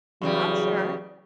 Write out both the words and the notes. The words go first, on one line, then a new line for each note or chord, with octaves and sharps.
I'm sure.
E2 C#3 F#3 G3